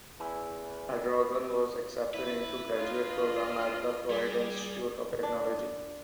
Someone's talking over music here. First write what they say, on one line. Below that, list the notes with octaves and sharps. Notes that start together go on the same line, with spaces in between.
Adragon was accepted into a graduate program at the Florida Institute of Technology.
E2 E4 G#5
E4 B4
D4 F4 D#5
G3 G#4
D4